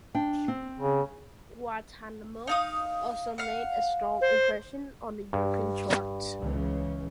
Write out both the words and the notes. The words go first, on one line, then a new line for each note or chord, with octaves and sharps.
"Guantanamo" also made a strong impression on the European charts.
D4 G5
C4
C#3
D#4 F5 D#6
F5 F#5
C5
G2
C#2 C#3 E3